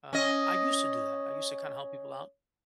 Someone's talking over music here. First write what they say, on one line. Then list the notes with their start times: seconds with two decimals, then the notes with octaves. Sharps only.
uh, I used to do that, I used to kinda help people out,
0.13 C#4 D#5